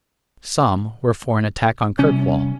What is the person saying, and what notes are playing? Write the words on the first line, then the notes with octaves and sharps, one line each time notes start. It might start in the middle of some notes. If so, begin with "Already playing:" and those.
Some were for an attack on Kirkwall.
C3 G3 C#4